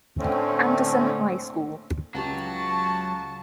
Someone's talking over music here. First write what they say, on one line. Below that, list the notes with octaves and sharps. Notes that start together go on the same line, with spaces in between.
Anderson High School.
A2 D3 A3 C4 C#4
C#2 F#3 G4 A5 C#6